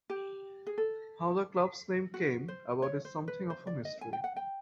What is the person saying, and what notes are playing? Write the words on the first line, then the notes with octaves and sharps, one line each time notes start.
How the club's name came about is something of a mystery.
G4
G#4
A4
F#4
C5
C#5
C5
B4
C5
D5
D#5
G#5
G5
F#5
G5